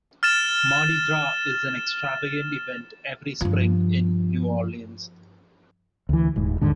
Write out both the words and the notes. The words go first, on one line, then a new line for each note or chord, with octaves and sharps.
Mardi Gras is an extravagant event every spring in New Orleans.
F6 A6 E7
G2 F3
D2 E3
D#1 G#2
D1 D#2 G#2 D3